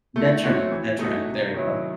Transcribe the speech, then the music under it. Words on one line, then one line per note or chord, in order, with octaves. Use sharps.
Detriment, detriment, there we go.
A3
C4 F#4 C#5
E3
A3 D#4 F#4
C3
D#3 F#3 C#4 E4